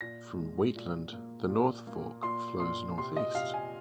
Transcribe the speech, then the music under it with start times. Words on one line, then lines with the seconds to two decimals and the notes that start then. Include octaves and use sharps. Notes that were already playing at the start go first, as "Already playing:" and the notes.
From Wheatland the North Fork flows northeast.
0.01 A#2 A#6
0.38 G#3
0.76 A#2
1.12 A#3
1.49 A#2
1.87 A#3
2.23 A#2 C6
2.60 A#2 C6
2.97 C3 C6
3.16 D#5
3.34 C3 F5
3.54 G#5